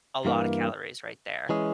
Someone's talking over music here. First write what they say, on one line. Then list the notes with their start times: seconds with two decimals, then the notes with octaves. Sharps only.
a lotta calories right there."
0.25 G2 E3 A#3
1.49 E3 G#3 C#4 G#4